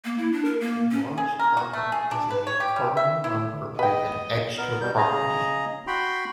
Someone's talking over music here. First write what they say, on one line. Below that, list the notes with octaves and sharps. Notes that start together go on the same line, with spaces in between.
A large cardinal is a cardinal number with an extra property.
A#3
E4
D4
A#4
A#3
C#4
G#4
A#4
F#4
A3
G#4
D4
B4
C#5
G4
G3
E5
E4
B4 D#5 G5
B3 A#4
B2 G3 G6
C#3 G#4 D#5 A#5
F#4 G5 B5 C6